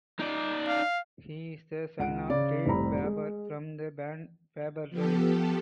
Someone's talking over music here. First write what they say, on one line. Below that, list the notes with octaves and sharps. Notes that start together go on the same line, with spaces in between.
He is the son of Dave Faber from the band Faber Drive.
D#4 D5
F5
C#2 F#5 D7
C#3 D5
F1 A2 G3 C4 A#5 B5
G#3
F3 B3 G4 A4